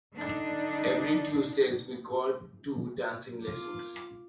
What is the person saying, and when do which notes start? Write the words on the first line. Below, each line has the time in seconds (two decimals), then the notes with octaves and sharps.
Every Tuesdays we go to dancing lessons.
0.15 D3 D4 D#4
3.42 F4 D6